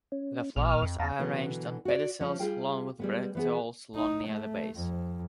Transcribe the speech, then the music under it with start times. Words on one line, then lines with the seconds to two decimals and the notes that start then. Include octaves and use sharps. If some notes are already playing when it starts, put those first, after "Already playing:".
The flowers are arranged on pedicels long with bracteoles long near the base.
0.12 C#4
0.56 A1 A#2 F6
0.82 F2
0.99 E2 F5 A5 A#5
1.19 B2 D3 E3 F#3 B3
1.85 F#4 D5
2.21 F3 G3 C#4
2.40 G3 F4 G#4 G5
3.00 G3 G#3 B3
3.35 E3 B3 G#4
3.95 D#4
4.27 A3
4.75 F2